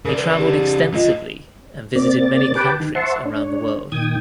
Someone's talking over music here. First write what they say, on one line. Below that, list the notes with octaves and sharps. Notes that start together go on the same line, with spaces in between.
He traveled extensively and visited many countries around the world.
C#3 A#4 D5
B4
G4
A#3 F4 D#5
C3 A#3 C4 D5 A6
G4 B4 F#5 G5 A5 D6
D#3
C5 E5 F#5 A5 C6 C#6
D4 C#5
A#2 D#3 G5 D#6 G#6